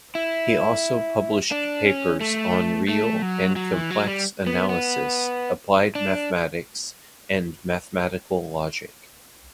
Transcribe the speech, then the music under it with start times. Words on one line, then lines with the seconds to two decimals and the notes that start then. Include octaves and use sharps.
He also published papers on real and complex analysis, applied mathematics and mathematical logic.
0.15 E4
1.51 D4
1.86 C#4
2.21 A3
2.88 A3
3.22 F#3
3.56 F#3
3.73 E3
3.90 F#3
4.07 G3
4.46 B3
4.69 B3
5.95 D4